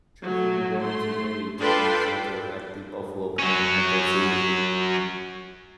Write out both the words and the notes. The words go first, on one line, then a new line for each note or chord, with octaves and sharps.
Jeffrey runs away, taking shelter at the buffalo pen at the zoo.
F#3 A3
A3 C6
D4 F4 A4 B4 G5 C6
F#3 C#4